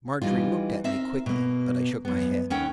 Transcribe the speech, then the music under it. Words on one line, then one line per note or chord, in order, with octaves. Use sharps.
Margery looked at me quickly, but I shook my head.
E3 G3 D#4 F4
C4 A#4 E5
B2 A#3
F#2 B3
D#2 C#4 A#4 F#5 G5